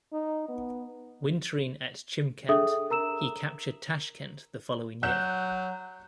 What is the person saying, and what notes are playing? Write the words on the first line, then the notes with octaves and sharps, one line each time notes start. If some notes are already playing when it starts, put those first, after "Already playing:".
Wintering at Chimkent, he captured Tashkent the following year.
D#4
B3
D4 G#4 A4 E5 D#6
A#4 A#5 E6 E7
F#3 F#6 G6 E7